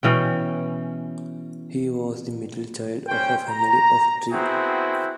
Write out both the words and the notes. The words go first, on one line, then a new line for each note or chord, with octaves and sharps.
He was the middle child of a family of three.
B2 E3 C#4 G5
G3 C#4 C5 G5
A#5
B3 C4 E4 F#4 G#4 G5